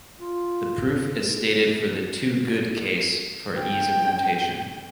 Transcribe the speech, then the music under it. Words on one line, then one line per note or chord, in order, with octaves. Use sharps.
The proof is stated for the two-good case for ease of notation.
F4
G5